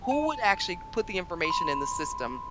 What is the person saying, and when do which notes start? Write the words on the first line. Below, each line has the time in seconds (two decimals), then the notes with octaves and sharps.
Who would actually put the information in the system,
0.11 A5
1.45 C6
1.50 B5